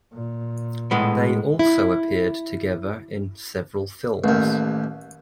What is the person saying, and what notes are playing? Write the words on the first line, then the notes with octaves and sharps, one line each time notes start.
They also appeared together in several films.
A#2
A2 G#3 B3
E4
A1 D#2